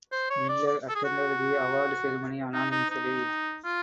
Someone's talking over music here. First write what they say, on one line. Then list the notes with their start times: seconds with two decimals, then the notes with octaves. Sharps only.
Miller attended the award ceremony anonymously.
0.12 C5
0.30 C#5
0.49 D5
0.67 D5
0.89 A4
0.95 G#4
1.04 F#4
2.53 D#4
2.71 D#4
2.91 D#4
3.65 F4